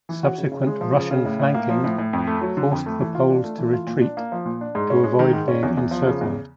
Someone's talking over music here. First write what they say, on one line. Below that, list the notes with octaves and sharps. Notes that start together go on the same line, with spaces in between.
Subsequent Russian flanking forced the Poles to retreat to avoid being encircled.
E3
F#4
C#3
C#3
G#3
F3
C#3
C#3
A2
A2
A#3
F3
A2
A2
F2
A3
F#3
D3
F2
A3
E3
F4
D4
A3
E3
F4
A#2
D4
A#3
F3
A#2
D4
G#2
C#4
G#3
D#3
G#2
C#4
E2
E2
F3
C#3
E2